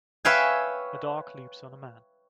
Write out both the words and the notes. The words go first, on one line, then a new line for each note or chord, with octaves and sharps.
A dog leaps on a man.
B4 C#5 E5 F5 G5 G#5